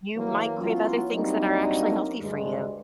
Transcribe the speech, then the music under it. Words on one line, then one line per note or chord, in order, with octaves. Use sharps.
you might crave other things that are actually healthy for you.
E3 F#3 A#3
F#3 B3 C#4 E4 F4
F#3 G3 A#3 C4 D4 D#4
D2 G2 G#3